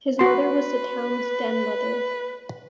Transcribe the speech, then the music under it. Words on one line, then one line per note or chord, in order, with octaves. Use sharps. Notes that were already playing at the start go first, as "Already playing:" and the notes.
His mother was the town's den mother.
F#4 B4 C6